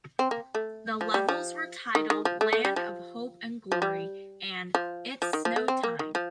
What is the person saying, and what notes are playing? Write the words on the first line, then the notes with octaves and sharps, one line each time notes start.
The levels were titled "Land of Hope and Glory", and "It's Snow Time".
C4
A#3
A3
F3
G3
F3
D#3
D#3
F3
A3
A3
G3
F3
F3
G3
F3
F3
D#3
F3
A3
C4
A#3
D#3
F3